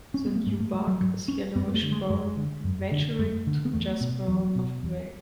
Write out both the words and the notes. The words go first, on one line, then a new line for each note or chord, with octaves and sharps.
The new bark is yellowish brown, maturing to just brown of gray.
C#4
B3
A3
G#2 G#3
A3
G#3
F#3
G#2 F#3
C#4
F#2 B3
G#3
A3
D3
G#3
F#2 G#3
D3
F#2
D3
F#2 G#3
D3
B3
E2 A3
B2
E2 F#3
B2
E2